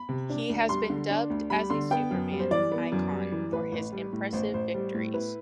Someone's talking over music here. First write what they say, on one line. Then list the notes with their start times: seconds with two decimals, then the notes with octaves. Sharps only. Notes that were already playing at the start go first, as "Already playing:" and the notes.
He has been dubbed as a "Superman" icon for his impressive victories.
Already playing: B5
0.09 C3
0.30 D4
0.49 D2
0.69 G3 C6
0.89 D3
1.10 D4
1.30 D2
1.50 G3 B5
1.70 D3 C6
1.91 B3 G5
2.11 F#2
2.31 G3
2.40 C5
2.51 E3 D5
2.72 B3
2.92 F#2
3.12 G3
3.32 E3
3.52 A1 B4
3.72 A1
3.92 G3
4.13 A2
4.33 A1 C5
4.54 A1 C5
4.74 G3
4.94 A2
5.13 E4 B4